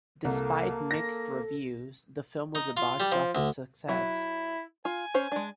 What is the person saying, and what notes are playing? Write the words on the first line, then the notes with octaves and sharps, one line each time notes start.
Despite mixed reviews, the film was a box-office success.
C2 A#3 A4
A#6
D#4
F4
G3
F3
D2
F#3 E4 E5
F4 G#5
C#4 C5
G#3 D4